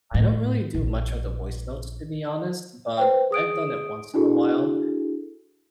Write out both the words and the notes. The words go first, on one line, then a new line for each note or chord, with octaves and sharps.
I don't really do much of the voice notes, to be honest, but I've done it once in a while.
A2
A#1
B4 C5 G5
G#4 D#6 D7
D4 E4 F#4 G#4 A4